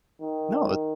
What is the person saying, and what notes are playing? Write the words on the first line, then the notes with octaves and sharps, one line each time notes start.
No that
D#3